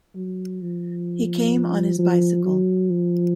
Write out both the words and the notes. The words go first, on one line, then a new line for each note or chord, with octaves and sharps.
He came on his bicycle.
F#3
F3
F3
F#3
F3